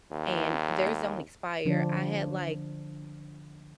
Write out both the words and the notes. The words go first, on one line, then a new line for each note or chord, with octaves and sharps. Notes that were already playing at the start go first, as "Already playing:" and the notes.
and theirs don't expire. I had, like
D#2
D3 F3 D4